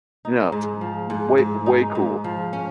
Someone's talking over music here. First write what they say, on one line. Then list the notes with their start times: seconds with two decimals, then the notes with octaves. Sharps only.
Yeah, it's w w way way cool.
0.25 D#4
0.52 G#2
0.81 F3
1.10 G#2
1.38 G#2
1.66 D#4
1.95 G#2
2.24 F3
2.53 C#4